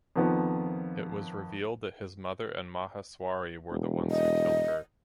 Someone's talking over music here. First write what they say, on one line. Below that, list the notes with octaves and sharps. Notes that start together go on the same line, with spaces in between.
It was revealed that his mother and Maheswari were the ones who killed her.
F2 D#3 F3 B3
E1
D#5